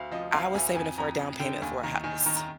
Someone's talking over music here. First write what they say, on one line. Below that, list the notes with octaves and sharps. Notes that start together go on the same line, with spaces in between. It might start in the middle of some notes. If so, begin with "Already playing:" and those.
I was saving it for a down payment for a house.
Already playing: D2 F5
F3 D#5
D2 F5
D2 G#5
F2 G#5
F2 A#5
F2
D3 G5
D#2 G#5
D#3 A#5
D#3 G#5
D#3 A#5
A#5